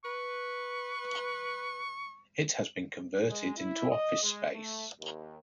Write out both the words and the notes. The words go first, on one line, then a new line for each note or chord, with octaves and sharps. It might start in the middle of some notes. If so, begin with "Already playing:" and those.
It has been converted into office space.
B4 C#6
G#3
E4
D#5
G#3
A3
D#2